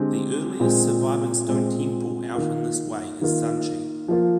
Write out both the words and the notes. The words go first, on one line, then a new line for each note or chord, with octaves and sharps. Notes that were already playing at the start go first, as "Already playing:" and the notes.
The earliest surviving stone temple set out in this way is Sanchi.
Already playing: D3 G#3 C4 G4
A#2 G#3 C4
A#2 G#3 C4
D#3 A#3 F4
D#3 A#3 F4
F3 A#3 F4